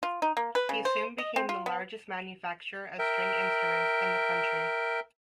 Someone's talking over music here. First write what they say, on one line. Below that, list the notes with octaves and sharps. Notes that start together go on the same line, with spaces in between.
He soon became the largest manufacturer of string instruments in the country.
F4
D#4
A#3
B4
C#3
C5
D#5
C4
F4
B3
A#4 E5 G5